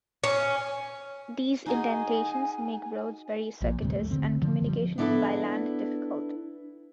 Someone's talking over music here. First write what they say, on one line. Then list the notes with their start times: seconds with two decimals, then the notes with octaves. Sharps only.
These indentations make roads very circuitous and communications by land difficult.
0.24 C#4
1.66 D#4 F#4 G#4 G#5
3.62 A#1 A#2
3.82 D2 G#2 C3
3.95 A3
4.11 D3 C4
4.41 D3 F3
4.62 D3 F3 G3
4.98 B3 D4 E4 A4 B4